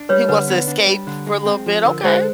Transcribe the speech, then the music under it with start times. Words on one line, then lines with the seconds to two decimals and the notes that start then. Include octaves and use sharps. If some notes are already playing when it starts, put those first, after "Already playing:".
He wants to escape for a little bit, okay.
Already playing: D4
0.09 G3 B4 C#5
0.29 D3 B4
0.48 B3
0.68 D4
0.87 G3
1.07 D3
1.27 G#3
1.46 C4
1.66 F3
1.85 D3 A#4
2.04 G#3 C5